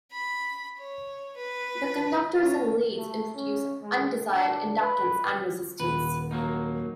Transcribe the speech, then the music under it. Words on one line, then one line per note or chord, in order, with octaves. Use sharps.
The conductors and leads introduce undesired inductance and resistance.
B5
C#5
B4
C#4
A3
C#4
G#3
D4
B4
D#1 B4
F#3 A#3 D#4